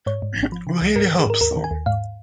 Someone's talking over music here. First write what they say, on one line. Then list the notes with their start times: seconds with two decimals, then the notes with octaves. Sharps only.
We really hope so.
0.06 G#2 C#5
0.22 G#2
0.37 G#1
0.52 F3
0.67 C#3
0.81 C#2
0.96 G#2 A#4
1.11 D#3
1.19 G#4
1.26 G#2 A#4
1.41 D#2 A#4
1.56 D#3
1.64 G#5
1.71 D#2
1.86 G#2 F5